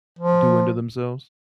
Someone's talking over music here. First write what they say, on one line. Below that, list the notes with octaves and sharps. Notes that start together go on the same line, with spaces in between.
doing to themselves.
F3